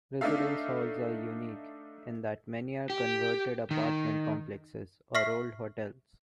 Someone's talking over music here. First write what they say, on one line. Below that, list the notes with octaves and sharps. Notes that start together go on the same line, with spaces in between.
Residence halls are unique in that many are converted apartment complexes or old hotels.
A3 D4 D#4 A4 E5 F5
G4
D#3
E5 C#6 F6 B6 C7